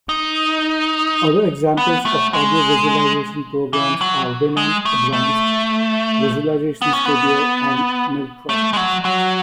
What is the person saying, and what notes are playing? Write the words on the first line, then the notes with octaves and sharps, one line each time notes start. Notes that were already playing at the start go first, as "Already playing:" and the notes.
Other examples of audio visualization programs are Winamp Advanced Visualization Studio and MilkDrop.
D#4
B3
A3
G#3
E3
F#3
G#3
A3
A3
B3
C#4
B3
A3
G#3
F#3
F#3